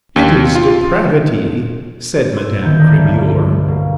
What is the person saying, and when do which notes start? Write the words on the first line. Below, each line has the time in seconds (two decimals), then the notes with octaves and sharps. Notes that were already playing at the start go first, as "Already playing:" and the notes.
"It is depravity!" said Madame Cremeur.
0.16 D#2
0.55 F4
2.33 C6 E6
2.62 A1 D2 D#3 B3 G6
2.80 D5 E5 A5
3.01 B1 G2 F6
3.67 B2 A#3